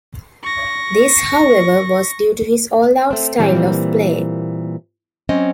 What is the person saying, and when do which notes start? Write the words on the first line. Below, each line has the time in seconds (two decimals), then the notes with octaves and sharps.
This, however, was due to his all-out style of play.
0.42 C#6 A#6
3.11 A3 C4
3.39 A#2 E3 G3 A#3 C4
5.29 F#3 C4 C#4 D#5